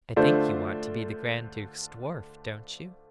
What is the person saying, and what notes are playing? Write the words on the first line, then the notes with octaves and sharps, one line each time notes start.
I think you want to be the grand duke's dwarf, don't you?'
D3 A3 D4 F4 C5